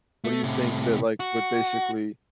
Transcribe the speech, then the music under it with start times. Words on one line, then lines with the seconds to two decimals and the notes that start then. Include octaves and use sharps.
What do you think that, like, would basically
0.24 A3
0.43 A2 C3
1.20 F#4